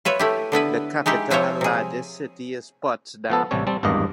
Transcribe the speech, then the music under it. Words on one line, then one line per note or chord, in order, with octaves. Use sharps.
The capital and largest city is Potsdam.
F4 B4 C#5 E5
A3 E4 G4
D3 B3 E4 B4
G#3 D#4 E4 G4
F3 E4 F4 C5 C#5
C3 G#4
F3 B3 A4
A1 C3 G3 C#5
G3 C4 A5
G#1 E2 G2 A#3 D#5